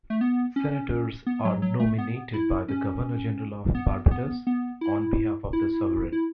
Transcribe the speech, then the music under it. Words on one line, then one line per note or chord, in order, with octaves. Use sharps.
Senators are nominated by the Governor General of Barbados, on behalf of the Sovereign.
A3
B3
C#4
B3
F#3
F#3
A3
B3
E4
C#4
B3
B3
B3
E4
E4
E4